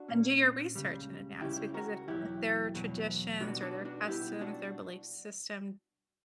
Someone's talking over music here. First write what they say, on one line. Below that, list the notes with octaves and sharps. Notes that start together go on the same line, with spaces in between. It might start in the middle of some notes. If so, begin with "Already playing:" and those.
and do your research in advance because if if their traditions or their customs or belief system
Already playing: D4 F#4
A#2 A#3 C#4
C#2 C#3 G3
C#2 C#3 G3 E4 G4
F#4 A#4
E2 B2 F#3 E4 G4
E2 B2 F#3
B2 G3 B3 D4 F#4
D4 F#4
D4 F#4
B2 G3 B3 E4 G4
D4 F#4